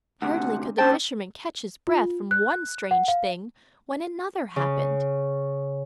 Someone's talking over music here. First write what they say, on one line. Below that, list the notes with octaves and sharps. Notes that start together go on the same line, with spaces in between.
Hardly could the fisherman catch his breath from one strange thing when another happened.
D2 C3 F#5
D3 C#4 C5 G5 A5
F4
F#6
F#5
F5
C#3